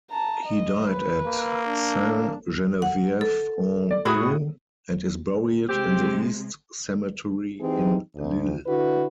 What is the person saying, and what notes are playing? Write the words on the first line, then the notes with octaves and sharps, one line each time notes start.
He died at Saint Genevieve-en-Caux and is buried in the East Cemetery in Lille.
A5 A#5
D#5
B4
A#3
D4
F#5
A4
D5
A2 E4 F#4 G#4 D#6
C3 G#3 C4 G4
E3 C4 D#4 G4 G#4
D2
D3 D4 E4 F#4 B4